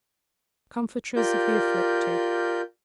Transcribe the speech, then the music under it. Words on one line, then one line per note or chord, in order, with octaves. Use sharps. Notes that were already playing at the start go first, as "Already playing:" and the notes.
Comfortress of the afflicted.
F4 G4 A#4 D5 G6